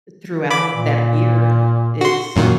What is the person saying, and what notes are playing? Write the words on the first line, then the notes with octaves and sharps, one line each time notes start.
throughout that year, it's
E3 B5 D6
A#2
F#4 C6
F#2 A#2 D#3 F#4